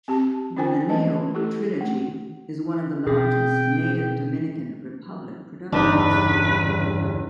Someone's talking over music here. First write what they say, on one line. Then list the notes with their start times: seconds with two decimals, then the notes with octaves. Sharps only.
The Veneno trilogy is one of the largest native Dominican Republic productions.
0.08 C4 G4 A5
0.57 C#4 D4 F4 C5 G5 G#5
0.89 E3 B4 D#5 A5
1.34 A3 E4 G4 A4
1.81 A3
3.07 B2 C4 G#4 G5
5.72 G1 E2 G2 C#3 D4 D#4 B4